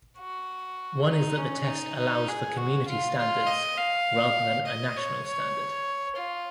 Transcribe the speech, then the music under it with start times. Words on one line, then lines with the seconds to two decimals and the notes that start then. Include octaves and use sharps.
One is that the test allows for community standards rather than a national standard.
0.18 F#4
1.09 D#4
1.38 C#4
1.68 D#4
1.98 D#4
2.28 G#4
2.57 F#4
2.88 F4
3.18 F4
3.47 D#5
3.77 F5
4.67 D#5
4.96 C#5
5.27 C#5
6.16 F4